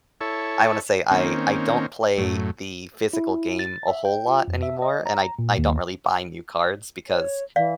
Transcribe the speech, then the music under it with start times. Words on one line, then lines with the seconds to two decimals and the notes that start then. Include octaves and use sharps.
I wanna say I I don't play the physical game a whole lot anymore, and I I don't really buy new cards because,
0.21 E4 A4 C#5
1.11 D#3 A#3 C4 C#4
2.18 F#2 A2
3.13 E4
3.59 A6
3.88 E5
4.05 G5
4.28 F4
4.48 F2
4.63 E5
4.82 D#5
5.06 A#5
5.39 A#2
5.58 D#2
7.09 C#5
7.56 E3 D5 F5